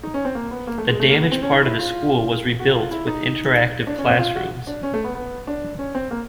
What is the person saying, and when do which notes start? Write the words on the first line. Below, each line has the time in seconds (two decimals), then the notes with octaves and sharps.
The damaged part of the school was rebuilt with interactive classrooms.
0.03 D#4
0.14 C#4
0.25 C4
0.35 A#3
0.51 B3
0.67 A#3
0.78 A3
0.88 G#3
1.00 A3
1.10 A#3
1.21 B3
1.31 C4
1.42 C#4
1.52 D#4
1.63 E4
1.79 F4
2.60 F#4
2.75 F4
2.91 E4
3.07 D#4
3.87 D4
3.98 C#4
4.09 C4
4.19 F4
4.35 F#4
4.67 D4
4.83 C#4
4.94 A3
5.04 B3
5.15 B3
5.47 D4
5.79 C#4
5.95 C4
6.11 A#3